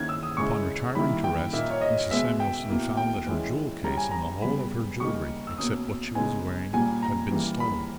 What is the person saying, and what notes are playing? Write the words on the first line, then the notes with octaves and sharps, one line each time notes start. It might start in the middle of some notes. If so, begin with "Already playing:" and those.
Upon retiring to rest Mrs. Samuelson found that her jewel case and the whole of her jewelry, except what she was wearing, had been stolen.
Already playing: D#3 A#3 C#4 E4 G#6
E6
D#6
C#3 G#3 C#4 E4 C#6
D#3 G3 A#3 E4 B5
G5
A#2 A#3 D#4 E5
C#5
D#5
B2 G#3 B3 E5
G5
B2 A#3 E4
G5
E3 G#3 C#4 E4
G3 C#4 E4 A#5
G#5
A#5
C#3 G3 B3 B5
C#3 G3 A#3 D#4 C#6
E6
B2 A#3 C#4 D#6
C#3 G#3 B3 D#4 G#5
A#2 G3 A#3 G#5
A#5
E3 G3 A#3
B5